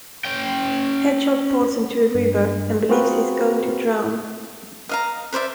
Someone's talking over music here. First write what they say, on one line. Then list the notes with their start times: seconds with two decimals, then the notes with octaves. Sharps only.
Hedgehog falls into a river and believes he is going to drown.
0.25 C#4 G5
2.15 G2
2.89 C4 F4 F#4 G#4 A#4 B4
4.89 D#5 F5 A#5
5.33 B4 C5 D5 E5